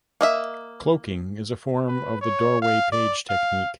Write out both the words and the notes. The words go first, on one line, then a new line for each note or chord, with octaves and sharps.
Cloaking is a form of the doorway page technique.
A#3 D#5 E5
B4
C#5
F5
D5
F5